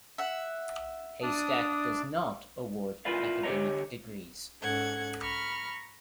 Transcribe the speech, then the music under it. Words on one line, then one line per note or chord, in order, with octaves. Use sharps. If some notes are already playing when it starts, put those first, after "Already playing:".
Haystack does not award academic degrees.
E5 F#5
D4 D#6
E4 F4 A#4 B4 D5 F5
D3 G4 G#4 C#5 D#5 A#5
G#2 C#4 A4 F#5 G#6
A#5 B5 C#6 F6